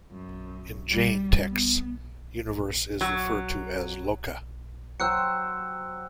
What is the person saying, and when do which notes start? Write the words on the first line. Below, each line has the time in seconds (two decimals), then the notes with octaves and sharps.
In Jain texts, universe is referred to as Loka.
0.11 F#2
0.90 G3
1.51 B3
3.01 F#3
5.00 F#3 C5 G5 E6 F#6 C#7